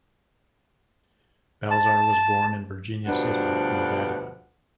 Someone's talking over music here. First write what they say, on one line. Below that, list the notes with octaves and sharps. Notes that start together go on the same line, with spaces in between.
Balzar was born in Virginia City, Nevada.
A5
D2 G2 B2 F3 D4 F#5